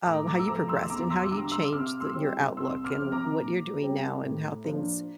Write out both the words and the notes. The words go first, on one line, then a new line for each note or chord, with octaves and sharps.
um, how you progressed and how you changed the your outlook and what you're doing now and how things,
A2 A#5 D6
A#5 D6
E6
F3 A3 A#5 D6
C6 E6
E2 A#5 D6
C6 E6
E6
D3 G3 A#5 D6
C6 E6
C3 D6 F6
C6 E6
G3 C4 E4
C2 C6 E6
D6 F6
C3 F3 C4
A#5 D6
A#2
G3 C4
A2
F3 A#3 D4